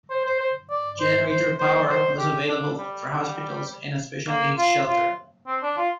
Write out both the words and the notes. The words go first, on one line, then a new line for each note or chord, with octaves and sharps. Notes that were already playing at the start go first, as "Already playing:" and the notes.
Generator power was available for hospitals and a special needs shelter.
C5
C5
C5
D5
C5
C5
C5
C5
G4
D4
G3
A#3
F4
F4
C4
D4
F4